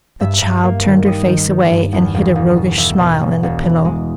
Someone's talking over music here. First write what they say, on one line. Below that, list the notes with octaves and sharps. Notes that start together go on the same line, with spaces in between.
The child turned her face away, and hid a roguish smile in the pillow.
G2 E5
G2
A#3
D#3
G3 D#5
D#3
D#3
G2
E2
E1
E1
B2
E1 E5
B2
E1
E1
E3
G#3